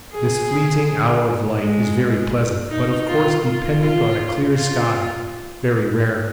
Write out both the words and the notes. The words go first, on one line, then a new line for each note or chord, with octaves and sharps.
This fleeting hour of light is very pleasant, but of course dependent on a clear sky, very rare.
G#4
G#3
D#4
F4
F4
F4
F4